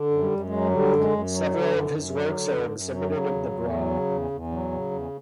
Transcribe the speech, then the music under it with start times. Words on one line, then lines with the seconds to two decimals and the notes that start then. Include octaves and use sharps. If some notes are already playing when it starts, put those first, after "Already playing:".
Several of his works are exhibited at The Broad.
Already playing: D3
0.11 F#2
0.18 G3
0.31 F#2
0.44 G#3
0.51 F#3
0.71 D3 G3
0.91 F#2
0.98 G#3
1.10 F#2
1.31 F#3
1.51 D3
1.71 F#2
1.91 F#2
2.11 F#3
2.31 D3
2.51 F#2
2.71 F#2
2.91 F#3
3.11 C#3 F#3
3.31 E2
3.51 E2
3.71 F#3
3.91 C#3
4.11 E2
4.31 E2
4.51 F#3
4.71 C#3
4.91 E2